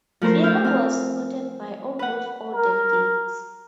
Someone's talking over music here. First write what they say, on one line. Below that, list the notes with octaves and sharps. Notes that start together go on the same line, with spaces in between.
Fiala was supported by almost all delegates.
F3 A3 A#4 C5
E4 F6 G6
C4 G#5 F6
B4 F#5
A#4